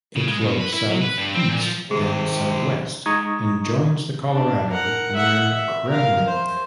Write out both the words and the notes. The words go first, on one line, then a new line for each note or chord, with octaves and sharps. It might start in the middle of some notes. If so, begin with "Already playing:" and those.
It flows south, east, then southwest, and joins the Colorado near Kremmling.
C#3
G#3
B2
B4
E4
F#3
B4
G2
C4
A#2
F3
C3 D#3 G#3 G#4
G#3 D#4 A#5 C#6 D#6 G#6
D4
A#4 F#5
E5 F#5
E5
A#4 F5
C5